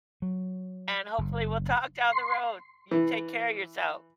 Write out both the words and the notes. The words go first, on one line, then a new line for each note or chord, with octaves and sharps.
And hopefully we'll talk down the road. You take care of yourself.
F#3
F#1
C6
E3